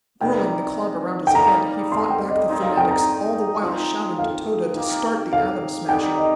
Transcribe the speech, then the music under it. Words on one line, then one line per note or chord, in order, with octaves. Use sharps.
Whirling the club around his head, he fought back the fanatics, all the while shouting to Tode to start the Atom Smasher.
C3 D#3 G3 G5
G5
G3 A#3 D#4 A#5
C6
G5
D#5
D#3 C4 D#4
F5
G5
A#5
F3 C4 D#4
F5
D#3 A#3 G4
F5
D#3 G3 D#4 G4 G5
D#5